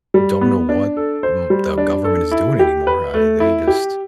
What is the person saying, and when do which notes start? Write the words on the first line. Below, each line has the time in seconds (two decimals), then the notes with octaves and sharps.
don't know what m the government is doing anymore, I they just
0.14 G3
0.41 B3
0.69 D4
0.97 A4
1.23 C5
1.50 G3
1.78 D4
2.04 A4
2.31 E4
2.59 G4
2.87 B4
3.14 A3
3.40 E4
3.67 G4